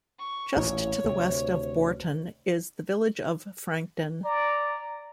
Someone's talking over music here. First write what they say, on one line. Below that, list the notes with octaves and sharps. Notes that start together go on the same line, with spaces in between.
Just to the west of Bourton is the village of Frankton.
C#6
A1 A#2 C#5
D2 C3
D5 A#5